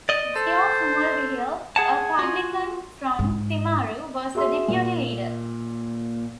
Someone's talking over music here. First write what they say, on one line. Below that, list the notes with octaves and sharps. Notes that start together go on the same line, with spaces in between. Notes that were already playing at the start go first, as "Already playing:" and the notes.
Geoff Mulvihill, a publican from Timaru, was the deputy leader.
D5 D#5
A4 C5
G#4 F#5 G#5 A5
F4 F#4
G#2
F#4 G#4 E5 C6 E6
A#2